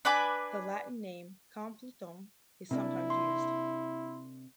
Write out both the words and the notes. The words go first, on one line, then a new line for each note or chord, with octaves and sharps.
The Latin name, "Complutum", is sometimes used.
D4 B4 G#5 D6
C3 A#3 D4 E4
C6